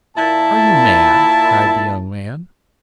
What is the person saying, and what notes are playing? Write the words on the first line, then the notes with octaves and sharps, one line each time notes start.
"Are you mad?" cried the young man.
A#2 E4 A5